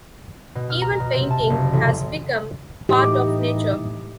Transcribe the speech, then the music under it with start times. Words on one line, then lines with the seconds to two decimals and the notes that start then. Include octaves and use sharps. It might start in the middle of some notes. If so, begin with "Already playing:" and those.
Even painting has become part of nature.
0.55 B2
0.70 F6
0.82 A#5
1.00 B2
1.14 C3
1.31 A5
1.50 F#1
1.73 A1
2.89 A2 E3 D#4 G4